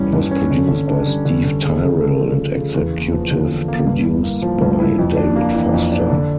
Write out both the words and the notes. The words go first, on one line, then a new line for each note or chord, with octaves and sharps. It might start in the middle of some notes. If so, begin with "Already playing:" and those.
It was produced by Steve Tyrell and executive produced by David Foster.
Already playing: G2 E3 G3 C#4
G2
C#4
D3
D3
D4
G3
D3
D3
C#3
C#3
A3
F3
C#3
C#3
E2
A#3
F3
D3
E2
A#3
G2
E4
A#3
F3
G2
E4
F2
D4
A#3
E3
F2
D4
D3